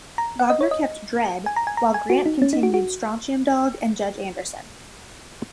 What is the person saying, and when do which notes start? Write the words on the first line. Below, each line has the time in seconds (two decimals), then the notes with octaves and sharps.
Wagner kept "Dredd", while Grant continued "Strontium Dog" and "Judge Anderson".
0.18 A#5
0.39 F#5
0.50 D#5
0.61 C#5
0.71 D#5
1.46 G#5
1.56 A#5
1.67 G#5
1.77 A#5
1.94 G#5
2.10 F#4
2.26 D#4
2.42 C#4
2.53 D#4
2.63 F#4
2.74 F#4